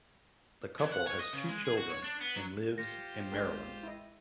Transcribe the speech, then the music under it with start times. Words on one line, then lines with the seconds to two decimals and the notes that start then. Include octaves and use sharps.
The couple has two children and lives in Maryland.
0.79 E3
0.93 F#5
1.07 C#5
1.20 D#5
1.33 C#3
1.48 G#3
1.65 G#4
1.77 F#4
1.90 C#5
2.04 D4
2.21 B3
2.36 F#3
2.78 F4 G4 C5 A#6 C#7
3.32 A1 G#3 G#4 A#4 D5 G5
3.83 E4 D#5